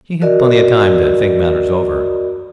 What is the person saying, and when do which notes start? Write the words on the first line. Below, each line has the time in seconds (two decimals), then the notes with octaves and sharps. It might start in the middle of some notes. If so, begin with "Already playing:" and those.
He had plenty of time to think matters over.
0.22 F#4 A#4 D5 D#5